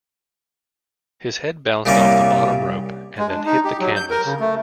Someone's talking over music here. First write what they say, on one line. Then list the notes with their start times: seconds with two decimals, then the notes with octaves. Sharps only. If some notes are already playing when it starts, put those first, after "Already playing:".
His head bounced off the bottom rope, and then hit the canvas.
1.85 C2 A#2 G3 C#4 A#5 D6
3.18 G#3
3.29 D4
3.46 D#4
3.65 G4
3.80 F#3
3.96 G6
4.11 A#4
4.26 C#3
4.40 A3